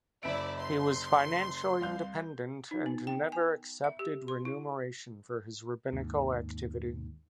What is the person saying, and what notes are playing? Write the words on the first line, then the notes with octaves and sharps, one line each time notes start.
He was financially independent, and never accepted remuneration for his rabbinical activity.
F#1 E4 D5 E5 D7
C6
C2 F5 G6
D#4
B3
G5
G#5
E5
G4
C6
E4
D#2 G#2